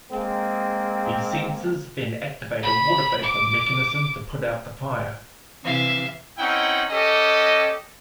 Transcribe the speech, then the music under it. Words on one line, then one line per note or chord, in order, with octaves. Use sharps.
These sensors then activate a water vapor mechanism to put out the fire.
G#3 A#3 C4
B5
D6
C3 E3 E5 F5
C4 C#4 D#4 E4 F#5 G5
C#4 G4 A4 D#5